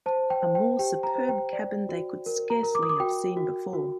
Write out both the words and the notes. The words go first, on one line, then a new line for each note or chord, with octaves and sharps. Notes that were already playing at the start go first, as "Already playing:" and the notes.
A more superb cabin they could scarcely have seen before.
C5 A5
G5
C5
G5
G4 G5
A#5
C5
G5
D5
F#4
A#4
A#5
A#4
D6
D#6
D6
F#4 G5
F#4
F#4